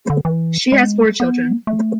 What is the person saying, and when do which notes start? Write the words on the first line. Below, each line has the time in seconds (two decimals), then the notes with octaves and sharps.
She has four children.
0.10 D3
0.25 E3
0.72 G#3
1.20 B3
1.67 A3